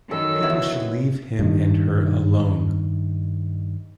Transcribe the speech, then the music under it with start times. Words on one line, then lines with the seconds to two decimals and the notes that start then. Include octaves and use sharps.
People should leave him and her alone.
0.11 F#2 D#3 A4 E6
0.43 B3 E4
1.39 G2 D#3